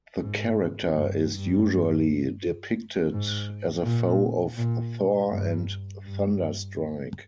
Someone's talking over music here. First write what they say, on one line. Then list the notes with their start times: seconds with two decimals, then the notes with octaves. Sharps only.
The character is usually depicted as a foe of Thor and Thunderstrike.
0.22 G#2
0.94 G2
1.31 G2
3.12 G#2
3.84 A#2
4.58 A#2
5.29 G2
6.03 G2